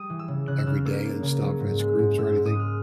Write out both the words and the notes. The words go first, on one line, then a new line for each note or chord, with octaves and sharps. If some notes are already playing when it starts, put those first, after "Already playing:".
every day and stuff as groups or anything?
Already playing: G3 D#6
E3
E6
C#3
C#3 F#6
E6
C#3 F6
A#3 E6
A#3
C#3
F#3
G#2
G#3
G#2
G#2 E6
G#2 E6
D#6
G#3 F6